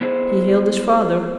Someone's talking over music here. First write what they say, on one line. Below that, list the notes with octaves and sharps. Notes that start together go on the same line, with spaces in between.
He hailed his father.
B3 E4 G#4 C5